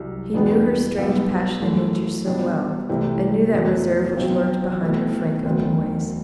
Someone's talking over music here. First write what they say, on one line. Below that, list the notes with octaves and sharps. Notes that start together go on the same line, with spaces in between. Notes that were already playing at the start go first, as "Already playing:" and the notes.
He knew her strange, passionate nature so well, and knew that reserve which lurked behind her frank, open ways.
Already playing: C2 C3 F#3
E2 B2 G3 B3 D4
B1 B2 G3 B3
F#2 E3 A3
B2 G3 D4 G4
C2 C3 E3 A3 C4
E2 B2 F#3 A3
B1 B2 F#3 C4
B2 A3 C4 E4
E1 D2 D3 F#3 C4